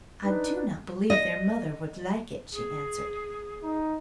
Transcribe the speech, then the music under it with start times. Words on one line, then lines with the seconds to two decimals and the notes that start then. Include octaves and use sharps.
"I do not believe their mother would like it," she answered.
0.22 D4 D#4 B4
1.10 D#5
2.52 G#4
3.63 D#4